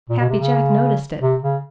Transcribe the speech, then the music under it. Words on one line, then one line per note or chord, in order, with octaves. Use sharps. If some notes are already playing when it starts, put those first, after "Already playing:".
Happy Jack noticed it.
A#2
B2
C3
C#3
C3
C#3